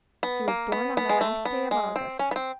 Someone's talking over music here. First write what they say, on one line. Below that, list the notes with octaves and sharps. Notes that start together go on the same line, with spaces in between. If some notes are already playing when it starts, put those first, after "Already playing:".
"He was born on the last day of August."
B3
A#3
B3
B3
G#3
A3
B3
G#3
C4
C#4
B3
C4